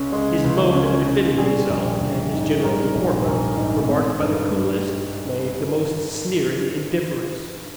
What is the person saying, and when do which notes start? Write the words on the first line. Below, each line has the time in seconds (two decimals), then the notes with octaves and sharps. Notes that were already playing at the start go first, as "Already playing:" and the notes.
His mode of defending himself, and his general deportment, were marked by the coolest, nay, the most sneering indifference.
Already playing: C#2 C#3 C#4
0.12 G#3
0.44 C#2
0.75 C#4
1.06 C#3
1.38 G3 G#4
1.70 A#1
2.00 A#1
2.32 G#2
2.63 G3 A#4
2.95 A#1
3.26 A#1 A#4
3.57 G#2
3.89 C4
4.20 G2